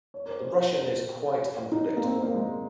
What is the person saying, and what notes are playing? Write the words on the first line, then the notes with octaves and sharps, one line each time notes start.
The Russian is quite unpredictable.
C#5
A#4
C5
C5
C5
C5
C#5
D#4
A#3
C4
A#3
G#3